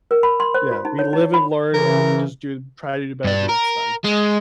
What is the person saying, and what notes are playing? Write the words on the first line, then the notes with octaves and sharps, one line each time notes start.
Yeah, we live and learn and we just do try to do better the next time.
A#4
B5
C6
C5
F4
D#4
C#5
D#4
B5
C#3 E3 A#4
G2 D4
A#4
G#3